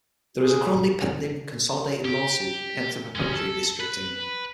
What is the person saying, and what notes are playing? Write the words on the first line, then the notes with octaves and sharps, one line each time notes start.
There is a currently pending consolidated lawsuit against the proposed redistricting.
G#4
G4
G#3 C#4
A4
B4